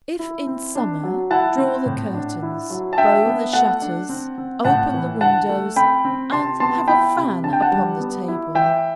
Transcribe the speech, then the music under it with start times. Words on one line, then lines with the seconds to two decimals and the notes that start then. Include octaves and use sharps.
If in summer, draw the curtains, bow the shutters, open the windows, and have a fan upon the table.
0.19 E4
0.47 C4
0.75 D4
1.03 F#3
1.30 E4 F#5 A5
1.58 C4
1.86 A2
2.14 D4
2.42 E4
2.70 F#3
2.93 A5
2.97 D4 E5 G5
3.26 B3
3.53 A3 F#5 A5
3.82 D4
4.09 C4
4.38 C4
4.65 A2 F#5 A5
4.94 E3
5.21 D3 F#5 A5
5.49 A3
5.76 C4 G5 B5
6.05 C4
6.32 C3 A5 C6
6.60 B3 A5 C6
6.88 E4 G5 B5
7.16 C3
7.44 D3 A5
7.53 G5
7.62 F#5 A5
7.72 G3
8.00 B3
8.28 E4
8.55 E3 E5 G5